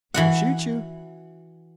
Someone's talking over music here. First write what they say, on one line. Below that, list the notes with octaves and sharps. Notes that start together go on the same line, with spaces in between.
"He'll shoot you."
E3 F#4 F#5